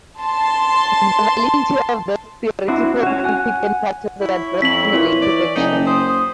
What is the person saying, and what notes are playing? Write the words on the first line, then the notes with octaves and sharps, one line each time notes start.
The validity of this theoretical critique in practice is addressed in a later section.
A5 C6
C4 D4 E4 F#4
C#4 F#4
F#5 G#5 F#6
E4 C#5
F2 B6 F#7
A#2 E3
D5
F#1 D#4
C5 D#6